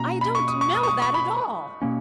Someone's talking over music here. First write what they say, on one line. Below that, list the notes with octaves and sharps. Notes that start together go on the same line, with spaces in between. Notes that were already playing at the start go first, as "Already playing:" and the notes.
I don't know that at all!
Already playing: B2 A#3 C#4 A#5
B5
C#6
D#6
C#6
D#6
C#6
D#6
C#6
B5
B2 A#3 C#4